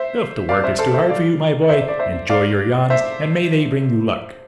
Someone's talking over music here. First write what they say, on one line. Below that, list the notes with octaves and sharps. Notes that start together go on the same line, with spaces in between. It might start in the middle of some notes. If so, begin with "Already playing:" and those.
"If the work is too hard for you, my boy, enjoy your yawns and may they bring you luck!"
Already playing: C5 E5
D5 F5
C5 E5
A4 C5
C5 E5
D5 F5
C5 E5
D5
C5 E5
D5 F5
C5 E5